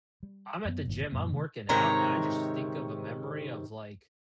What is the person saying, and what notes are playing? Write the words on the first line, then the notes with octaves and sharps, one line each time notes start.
I'm at the gym, I'm working out, and I just think of a memory of, like
G3
F#2 B3
G1 G2 A#2 D#3
F#2 A#2 F#3 A#3
C3 D#3 G3 A3
G#2 C3 D#3 C#5 A#5